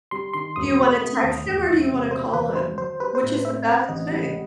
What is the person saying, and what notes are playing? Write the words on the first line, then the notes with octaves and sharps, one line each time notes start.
Do you wanna text him or do you wanna call him? Which is the best thing?
G3 C6
D#3 C6
E1 D#6
B2
A3
D#2
E1
E1 E5
C3
B2 C5
E2 B4
F#3 C5
F#3 C5
G3 B4
C5
A2
C5
C4 E5
C4 F#5
A1 D#5
G3